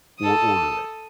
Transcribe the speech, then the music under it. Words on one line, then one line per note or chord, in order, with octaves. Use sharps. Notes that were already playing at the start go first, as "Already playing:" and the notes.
or order it.
A4 D#6